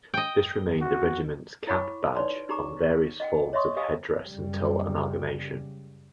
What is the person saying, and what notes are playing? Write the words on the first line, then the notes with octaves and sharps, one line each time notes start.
This remained the regiment's cap badge on various forms of head-dress until amalgamation.
D#5 G5
F#4
E4 C#5 F#5 B5 C#6 D6
D#4 B4 C#5 D5 C6
D#4 G4 G#4 A#5 C#6 D6
D#5 F#5 G5
C#5 D#5 E5 C6 C#6 D#6
G4 D#5 F5 G#5 C#6 D#6
F#2 C#3 G3